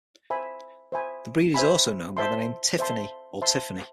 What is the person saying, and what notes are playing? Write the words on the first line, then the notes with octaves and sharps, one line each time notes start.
The breed is also known by the name Tiffanie or Tiffany.
C5 E5 G#5 B5
C5 E5 G#5 B5
C5 E5 G#5 B5
C5 E5 A5 C6
C5 E5 A5 C6
C5 E5 A5 C6